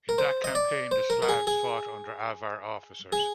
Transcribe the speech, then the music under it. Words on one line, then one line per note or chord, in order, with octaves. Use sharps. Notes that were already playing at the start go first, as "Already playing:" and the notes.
In that campaign the Slavs fought under Avar officers.
A#4
C5
D#5
D5
C5
A#4
A#4
G#4
G#4
G#4